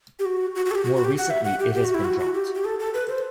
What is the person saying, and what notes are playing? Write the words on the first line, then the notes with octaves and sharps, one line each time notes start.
More recently it has been dropped.
G4
F#4
F#4
F#4
A4
G4
F#4
F#4
G4
F#5
E5
F#5
G4
G4
F#4
E4
F#4
F#4
G4
G4
A4
A4
B4
C5